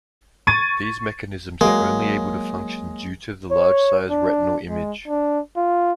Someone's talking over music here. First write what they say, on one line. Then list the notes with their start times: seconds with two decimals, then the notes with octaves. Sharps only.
These mechanisms are only able to function due to the large-sized retinal image.
0.47 C#6 G#6 A6 D#7
1.61 F#3 G#3 A#3
3.52 C#5
4.10 D4
4.68 G#3
5.08 D4
5.57 F4